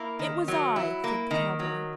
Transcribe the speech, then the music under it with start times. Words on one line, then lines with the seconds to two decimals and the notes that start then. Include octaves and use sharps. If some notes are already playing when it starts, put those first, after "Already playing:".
"It was I," said the cowboy.
Already playing: A#3 E4
0.19 D#3
0.48 F#3
0.76 E4
1.04 A#3
1.31 D#3
1.59 F#3